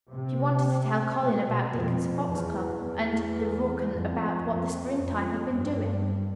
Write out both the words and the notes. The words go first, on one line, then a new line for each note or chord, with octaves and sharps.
She wanted to tell Colin about Dickon's fox cub and the rook and about what the springtime had been doing.
C3
B2
F2
E2
E2
F2
F2
F2
G2